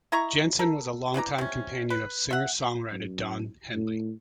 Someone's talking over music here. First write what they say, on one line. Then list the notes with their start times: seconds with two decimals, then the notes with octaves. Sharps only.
Jensen was a longtime companion of singer-songwriter Don Henley.
0.12 E4 D#5 A#5 C#6
0.59 A4 A#4
1.14 E3 D5 G5 A#5
1.38 C3 C#4
1.90 B4
2.31 E5 F#5
2.92 F#2
3.73 A2